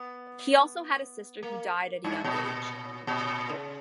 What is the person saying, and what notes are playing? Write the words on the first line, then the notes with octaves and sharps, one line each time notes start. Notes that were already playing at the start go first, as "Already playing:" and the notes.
He also had a sister who died at a young age.
Already playing: B3
A#3
G2
A#2
A#2
C#3